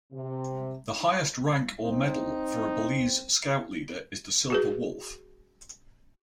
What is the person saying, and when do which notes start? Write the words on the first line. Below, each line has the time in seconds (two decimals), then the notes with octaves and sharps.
The highest rank or medal for a Belize Scout Leader is the "Silver Wolf".
0.13 C3
1.83 C4 D#4
4.50 F#4 G#4 B4